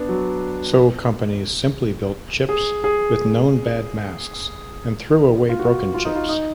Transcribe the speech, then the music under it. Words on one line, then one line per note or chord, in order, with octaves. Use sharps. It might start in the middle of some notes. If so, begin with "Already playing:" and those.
So companies simply built chips with known-bad masks, and threw away broken chips.
Already playing: B3 D4
F#3
G#4
G#4
F4
F#4
F4
D#4
F4
D#4